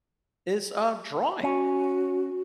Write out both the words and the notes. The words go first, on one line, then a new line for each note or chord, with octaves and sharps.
is, uh, drawing,
C#4 F#4